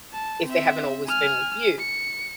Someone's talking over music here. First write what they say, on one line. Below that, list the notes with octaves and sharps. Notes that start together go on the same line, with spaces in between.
if they haven't always been with you.
A5
C4 E5
G#5 F6
C#7